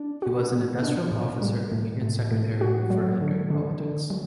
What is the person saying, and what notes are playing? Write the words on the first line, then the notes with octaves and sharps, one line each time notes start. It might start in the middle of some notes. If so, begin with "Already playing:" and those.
He was an industrial officer and union secretary before entering politics.
Already playing: D4
F#4
B3
D4
A2
G3
A2
A2
A2
F#4
F#3
D3
D3
D3
F#3